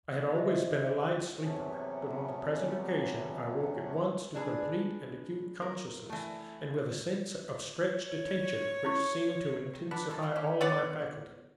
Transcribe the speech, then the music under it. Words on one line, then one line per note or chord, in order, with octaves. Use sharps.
I had always been a light sleeper, but on the present occasion I woke at once to complete and acute consciousness, and with a sense of stretched attention which seemed to intensify all my faculties.
G4 C5 D#5 E5
E2 C3 F#3 A3 B3 C#4
D4 G#4 A4 B4
A#4
E3 A3
C#5
C#4 E4 C#6
D#3
B3 D4 B4
B2 G3 G#3 A4
C#3 E3 G3 A#3
A#3 C#4 G4
B3 C#5 D5